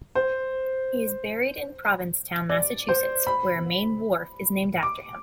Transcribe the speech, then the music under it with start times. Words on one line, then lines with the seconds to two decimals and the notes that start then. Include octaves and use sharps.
He is buried in Provincetown, Massachusetts, where a main wharf is named after him.
0.15 C5
2.50 D5
2.89 C5
3.27 B5
4.83 D6